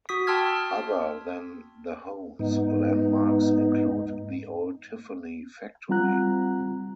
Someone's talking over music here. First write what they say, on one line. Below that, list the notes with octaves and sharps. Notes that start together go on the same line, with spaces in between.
Other than the homes, landmarks include the old Tiffany factory.
F#4 D#6 B6
G5 A5 C6 E6 F6 G#6
G#2 B3 D#4
G3 C4 F4 F#5 A#5 F#6